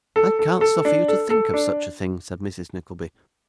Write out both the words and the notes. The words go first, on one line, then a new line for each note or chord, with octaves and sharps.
'I can't suffer you to think of such a thing,' said Mrs Nickleby.
A4
A4
A4
D4
A4
A4
D4